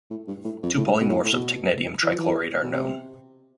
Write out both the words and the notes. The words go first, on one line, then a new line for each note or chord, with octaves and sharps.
Two polymorphs of technetium trichloride are known.
A2
G2
A2
F2
A2
G2
B2
A2
A2
B2
E3
F3
E3
B2
C3